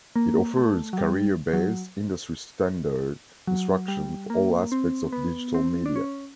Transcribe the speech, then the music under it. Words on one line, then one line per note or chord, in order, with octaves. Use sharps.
It offers career-based, industry-standard instruction for all aspects of digital media.
A#3
A3
F#3
G3
F#3
F#3
G3
A#3
C4
B3
C4
D4
C#4